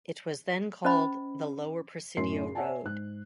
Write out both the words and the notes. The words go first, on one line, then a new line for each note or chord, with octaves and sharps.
It was then called the Lower Presidio Road.
C#4 C5 D#5 B5
F#2 A2 C#4 D#4 C6 C7
C#5 D5 E5 F#5 G#5 A5
G#2 F#6